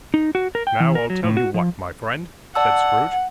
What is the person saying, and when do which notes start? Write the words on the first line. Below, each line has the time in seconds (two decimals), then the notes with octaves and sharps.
'Now, I'll tell you what, my friend,' said Scrooge.
0.14 D#4
0.35 F#4
0.55 A#4
0.67 G5
0.80 E3
0.95 A#4
1.10 F#3
1.24 A2
1.37 F#4
1.54 F3
2.55 D5 F#5 A5 E6